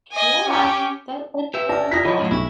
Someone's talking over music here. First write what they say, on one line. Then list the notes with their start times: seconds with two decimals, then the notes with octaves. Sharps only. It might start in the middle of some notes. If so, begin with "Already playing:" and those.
Yeah, that that's so wonderful.
0.13 D#5 G#5
0.48 C#4 G4
1.54 G4 B4 E5
1.69 D5 A5 F6 A#6
1.91 E4 F4 D#6 A#6 B6
2.05 E3 F3 C#5 D#5 B5
2.19 F#2 A2 D3
2.31 B1 D#4 E4 C#6